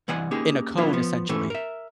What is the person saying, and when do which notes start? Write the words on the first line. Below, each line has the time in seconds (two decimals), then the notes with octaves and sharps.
in a cone, essentially.
0.08 C2 E3 D5 D#5 F#5 G#5
0.31 A#3 C#4 D#4 G4 G#4
0.77 F#3 A#3 B3 D4 E4 F4
0.93 F3 B3
1.29 G#2 E3 A3 C#4
1.50 A#4 E5